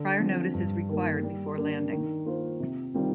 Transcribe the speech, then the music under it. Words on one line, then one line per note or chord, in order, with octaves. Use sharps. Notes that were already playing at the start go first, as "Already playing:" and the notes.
Prior notice is required before landing.
Already playing: D3
F3 C4
G2
D#3 A#3
G3
A#3 D4
D#3
A#3 F4 C5
C3
D#3 G3 C4 F4